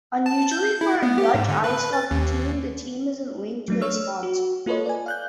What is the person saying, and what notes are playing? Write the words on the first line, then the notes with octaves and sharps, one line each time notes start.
Unusually for a Dutch Ice Hockey team the team isn't linked to a sponsor.
A5
G6
E4
B3
G4
G#2
D3
B4
A6
D#2
F#3 A3 D4
C#5 E6 F6
F#4
A#3 F4 A4 B4 C#5 D#5
D5 G#5
F5 F#6 G6